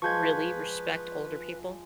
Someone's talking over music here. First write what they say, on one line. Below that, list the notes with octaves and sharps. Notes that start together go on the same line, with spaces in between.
really respect older people
F3 G#3 B4 C#6 G6 G#6